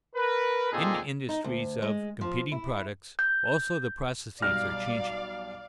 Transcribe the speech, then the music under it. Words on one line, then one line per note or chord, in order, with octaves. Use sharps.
In industries of competing products, also, the processes are changing.
A#4 B4
A#2 C4 D#4 G#4 A4
D#4
D2
G#3
F3
E4
G6
B1 G3 D5 F5 F6 A#6